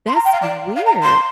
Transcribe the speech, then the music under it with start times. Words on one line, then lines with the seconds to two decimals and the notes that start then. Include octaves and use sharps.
That's weird
0.07 C6
0.15 A#5
0.24 G5
0.32 F5
0.41 D5
0.76 F5
0.85 A#5
1.02 C6